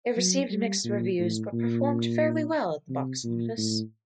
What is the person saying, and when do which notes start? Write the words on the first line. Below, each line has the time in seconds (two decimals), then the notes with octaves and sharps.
It received mixed reviews, but performed fairly well at the box office.
0.17 F#3
0.50 G3
0.85 A#2
1.19 A2
1.53 A#2
2.89 C3
3.24 A#2
3.58 A2